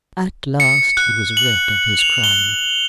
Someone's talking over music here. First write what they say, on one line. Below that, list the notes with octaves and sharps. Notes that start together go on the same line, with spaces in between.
At last he was rid of his crime.
C#7
F#6
F#7
F7
G7